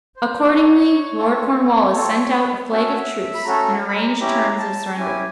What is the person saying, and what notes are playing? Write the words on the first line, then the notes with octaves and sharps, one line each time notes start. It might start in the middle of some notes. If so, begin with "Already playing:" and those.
Accordingly Lord Cornwallis sent out a flag of truce and arranged terms of surrender.
C5
B3 D4 F#4 A4 C#5
A3 C4 F4 A4
A3 C4 F4 A4
A3 C#4 F#4 A4
E5
E5
B5
A3 C#4 F#4 A4 A#5
B5
A#5
C#4 E4 G4 A#5
A5
C#4 E4 G4 G#5